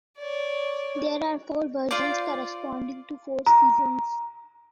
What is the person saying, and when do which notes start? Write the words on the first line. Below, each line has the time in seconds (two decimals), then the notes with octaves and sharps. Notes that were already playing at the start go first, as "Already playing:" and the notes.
There are four versions corresponding to four seasons.
0.18 C#5 D5
1.91 F4 C5 D5
3.46 A#5